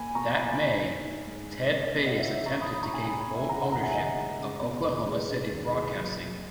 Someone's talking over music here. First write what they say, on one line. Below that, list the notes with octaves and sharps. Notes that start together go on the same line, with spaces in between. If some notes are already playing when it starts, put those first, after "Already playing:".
That May, Ted Baze attempted to gain full ownership of Oklahoma City Broadcasting.
Already playing: A#3 G#5 B5
B2 A#5 C#6
B2 G#5 B5
C#4
D#3
D#4
G#2
G#3
C#3 B4 D#5
A#4 C#5
B3
D#5 F#5
C#2 C#5 E5
C#5 E5
E3
A#5 C#6
G#3 B5 D#6
B5 D#6
D#4 A#5 C#6
G#5 B5
C#3 G#5 B5
G#5 B5
B3
E5 G#5
C#3 F#5 A#5
F#5 A#5
D#2 F#5 A#5
E5 G#5
D#2 D#5 F#5
G#3
C#3
B3
D#2 B4 D#5
G#3
C#3
D#2
D#2 G#4
F#3
F#3